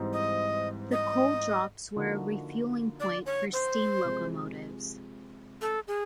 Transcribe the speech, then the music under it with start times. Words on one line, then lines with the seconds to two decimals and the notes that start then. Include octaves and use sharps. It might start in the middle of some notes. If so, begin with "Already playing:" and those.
The coal drops were a refuelling point for steam locomotives.
Already playing: G#2 E3 G3 C4 D#4
0.13 D#5
0.92 D#5
1.96 D3 F3 A#3 D#4 F#4
3.00 D5
3.26 C#5
3.53 C5
4.05 C3 F3 G#3 C4
5.62 A4
5.88 G#4